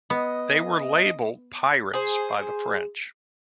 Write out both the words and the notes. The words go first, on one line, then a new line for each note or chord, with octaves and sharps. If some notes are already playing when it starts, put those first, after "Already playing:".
They were labelled "pirates" by the French.
B3 D#5
G#4 C5